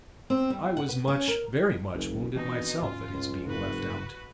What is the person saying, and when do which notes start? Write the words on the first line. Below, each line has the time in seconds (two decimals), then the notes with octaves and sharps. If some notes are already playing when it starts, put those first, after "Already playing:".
I was much, very much, wounded myself, at his being left out.
0.30 C4
0.50 G3
0.77 F#5
0.89 B4
1.08 C#4
1.28 A#4
1.94 F#1 B1 E2 D3
2.36 B2 E3 C4 D4 D#4
2.82 D2 G#2 C#4 F4
3.13 C#2
3.47 F#1 G#2 C#3 F#4 B4